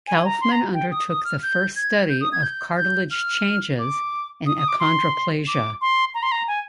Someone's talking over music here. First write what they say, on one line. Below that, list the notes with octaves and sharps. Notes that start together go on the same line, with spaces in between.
Kaufmann undertook the first study of cartilage changes in achondroplasia.
G#5
A#5
C6
A#5
G5
D#6
D#6
F6
G6
G#6
G6
D#6
G#6
G6
G6
F6
D6
D#6
D#6
D6
C6
D6
C6
A#5
C6
A#5
G#5